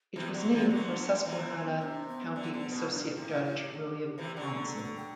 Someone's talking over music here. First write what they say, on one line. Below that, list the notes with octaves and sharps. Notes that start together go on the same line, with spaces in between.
It was named for Susquehanna County associate judge William Thompson.
C3 E3 B3
D3 F#3
C3 E3
D3 F#3
C3 E3
C3 D4
B3
D3
D3
B2
G2 D4
A2 E4
G4
C3 E3
D3 F#3
B4
A4
A4
B4
A4
G5